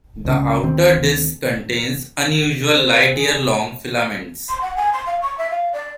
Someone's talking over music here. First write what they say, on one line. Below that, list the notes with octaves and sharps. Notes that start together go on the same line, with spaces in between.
The outer disk contains unusual light-year-long filaments.
C#2 C#3
D2 D#3 C4
C4
G#4
C6
F#5
G#5
C6
F5
C#6
E5
F5
D5